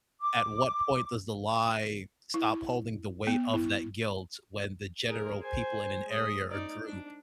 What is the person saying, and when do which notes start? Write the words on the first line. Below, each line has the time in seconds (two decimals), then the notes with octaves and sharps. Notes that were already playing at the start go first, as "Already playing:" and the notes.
at what point does the lie stop holding the weight of that guilt when the general people in an area or group,
0.22 D6
2.34 E4
3.27 B3
3.54 E4
5.08 G#4 A#4
5.40 C5 G#5
6.08 G#3 D#6
6.49 D#4 D5
6.85 D4